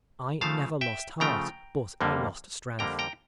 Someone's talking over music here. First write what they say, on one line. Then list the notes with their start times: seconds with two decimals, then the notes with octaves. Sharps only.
I never lost heart, but I lost strength.
0.41 C#3 F3 A3 F5 A5
0.81 E5 G5
1.20 C#3 F3 A3 G5 A#5
2.01 F2 D3 G3 A#3
2.79 F2 D3 G3 A#3 G5 A#5
2.99 G5 A#5